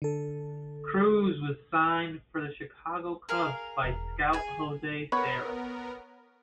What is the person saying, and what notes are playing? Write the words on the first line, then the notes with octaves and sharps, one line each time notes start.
Cruz was signed for the Chicago Cubs by scout Jose Serra.
D3 A4
G#4 A#4 F5
E1
G#4 G#5
B3 A#4 B4 C#5 F#5 B5 C#6